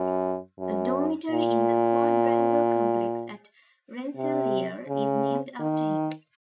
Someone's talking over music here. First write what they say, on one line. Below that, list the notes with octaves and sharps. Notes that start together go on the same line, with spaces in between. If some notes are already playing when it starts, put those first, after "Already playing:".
A dormitory in the Quadrangle complex at Rensselaer is named after him.
Already playing: F#2
F#2
A#2
C3
C#3
D#3